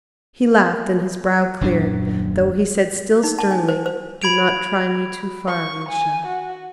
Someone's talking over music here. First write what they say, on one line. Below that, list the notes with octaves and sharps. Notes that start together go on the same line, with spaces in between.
He laughed and his brow cleared, though he said still sternly, "Do not try me too far, Alicia."
D#1 F#2 A#2 D4
D#4
A5
G#5
C5
C5
B5 G#6 D7 F7
C#6
G#5
F#4